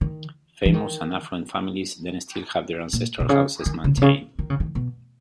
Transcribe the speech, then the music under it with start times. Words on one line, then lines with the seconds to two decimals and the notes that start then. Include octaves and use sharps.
Famous and affluent families then still have their ancestral houses maintained.
0.01 D#3
0.65 E3
0.74 D#3
2.93 A#2
3.20 B2
3.29 C#3
3.66 D#3
3.84 C#3
3.97 B2
4.02 C#3
4.39 D#3
4.50 C#3
4.60 D#3
4.75 B2